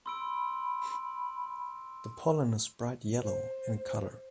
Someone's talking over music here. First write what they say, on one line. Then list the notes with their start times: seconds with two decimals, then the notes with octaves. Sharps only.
The pollen is bright yellow in colour.
0.06 B5 C6 E6 D7
3.23 C5